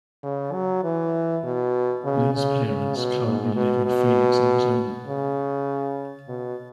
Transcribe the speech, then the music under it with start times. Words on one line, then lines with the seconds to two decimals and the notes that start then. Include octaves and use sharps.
Lee's parents currently live in Phoenix, Arizona.
0.23 C#3
0.53 F#3
0.84 E3
1.44 B2
2.05 C#3
2.35 C#3
2.65 C#3
2.96 B2
3.25 G#2
3.56 B2
3.86 B2
5.07 C#3
6.28 B2